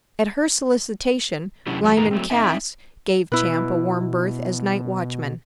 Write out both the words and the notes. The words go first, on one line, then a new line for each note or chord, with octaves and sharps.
At her solicitation Lyman Cass gave Champ a warm berth as night watchman.
C3 F#3 C#4 D4 E4 G4
E2 F#3 G3
E2 A2 D#3 G#3 A#3 A#5
F#3 A3 C4
C4 D#4 E5 G#5
B2 E4 B4